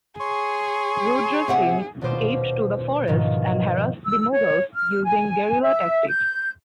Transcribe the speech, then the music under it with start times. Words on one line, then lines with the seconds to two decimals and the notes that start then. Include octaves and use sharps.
Rudra Singh escaped to the forests and harassed the Mughals using guerilla tactics.
0.20 G#4 C#5 C6 C#6
1.48 C3 E5 F#5
2.01 D#1 B2 F4 C5 D6 E7
3.07 G#2 B2 D#3 F3
4.04 E6
4.32 C#5
4.74 F6
5.04 G#5
5.63 E5
6.08 G6